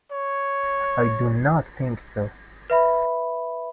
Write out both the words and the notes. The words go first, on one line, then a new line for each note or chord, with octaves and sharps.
I do not think so.
C#5
B4 E5 B5